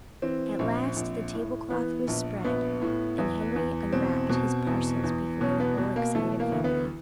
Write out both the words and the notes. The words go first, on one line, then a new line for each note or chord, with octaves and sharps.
At last the tablecloth was spread and Henry unwrapped his parcels before the whole excited family.
E3 C4
A#1
A#1
A2
E3 B3
A#1
A#1 B3
A2
E2
E2
B2 C4
B2
E2
E2
B2 C#4
B3
B2
A#3
E3 A3
A#3
D2
B3